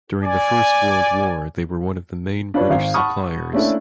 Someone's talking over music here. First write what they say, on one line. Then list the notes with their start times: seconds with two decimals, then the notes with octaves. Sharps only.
During the First World War they were one of the main British suppliers.
0.24 D5 G#5
2.54 D4 F4 B4 C#5 D5
2.70 G#1 F5
2.94 F#5 A5 B5 C#6 D#6 F6
3.53 A3 A#3 C#4 D4 E4 A4